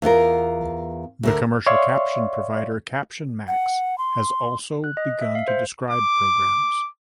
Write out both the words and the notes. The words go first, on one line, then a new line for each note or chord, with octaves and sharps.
The commercial caption provider CaptionMax has also begun to describe programs.
E2 B3 F4 A#4
D2 D3 A#4
C#5 D5 E5 F5 C6 C#6
F#5
C6
F#6
D#5
E5
F5
C5
D6